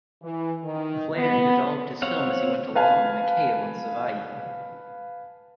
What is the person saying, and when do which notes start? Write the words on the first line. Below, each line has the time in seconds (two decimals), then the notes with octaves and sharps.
Flaherty developed his film as he went along, in a cave on Savai'i.
0.23 E3
0.63 D#3
1.16 B3
2.02 C4 C#5 F5 F#5
2.75 B4 F5 G#5 A5